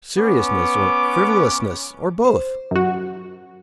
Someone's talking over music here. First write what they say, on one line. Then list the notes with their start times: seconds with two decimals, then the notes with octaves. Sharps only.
Seriousness or frivolousness or both.
0.16 B3 C#4 D6
2.24 C5
2.71 F#2 F#4